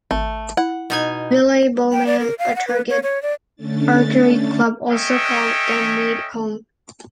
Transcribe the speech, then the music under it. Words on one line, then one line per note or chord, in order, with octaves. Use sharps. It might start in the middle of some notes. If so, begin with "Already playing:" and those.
Ville Bowmen a target archery club also call Denmead home.
G#1 A3
E4 F#5
B2 D#4 G#5
G5
D5
A#4
F5
F#5
B4
C#5
C#5
D5
D3 A3 C#4 D4 A6
C#4 A4 C#5 D#5 E5 G5